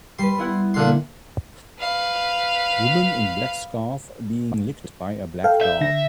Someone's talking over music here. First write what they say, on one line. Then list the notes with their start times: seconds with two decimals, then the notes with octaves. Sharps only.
Woman in black scarf being licked by a black dog.
0.19 G3 B4 C6
0.38 B3 E4 F#5
0.74 A#2 D3 C6
1.80 B4 F5
5.44 A4 F5 G5
5.61 E5 G6
5.81 D3 A#6